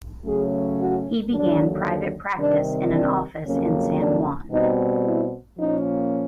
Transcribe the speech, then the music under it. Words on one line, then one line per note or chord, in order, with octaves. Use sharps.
He began private practice in an office in San Juan.
C#3 F#3 A3 C#4 G#4
F#4
D#2 D3 F#3 D4
C3 D#3 G3 C4 D4
D4
F2 C#3 F#3 A#3 C#4
D4
B2 G3 C4 D#4
E4
A#2 F3 A#3 C#4 D#4